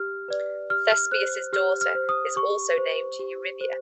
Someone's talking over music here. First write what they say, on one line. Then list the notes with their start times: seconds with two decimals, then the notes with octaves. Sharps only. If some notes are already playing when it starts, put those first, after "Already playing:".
Thespius's daughter is also named Eurybia.
Already playing: G4 F6
0.28 B4 D5
0.70 G4 F6
0.91 F6
1.11 C5 F#6
1.53 G4 F6
1.81 F6
1.95 C5
2.09 D#6
2.36 G4 C#6
2.78 C5
3.19 G4
3.61 C5